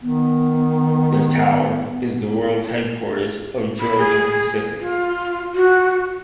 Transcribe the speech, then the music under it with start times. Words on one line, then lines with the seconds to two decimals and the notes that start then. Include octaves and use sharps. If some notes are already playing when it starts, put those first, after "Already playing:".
The tower is the world headquarters of Georgia-Pacific.
0.02 D#3 B3
3.80 B5
3.98 G#4
4.80 F4
5.54 F#4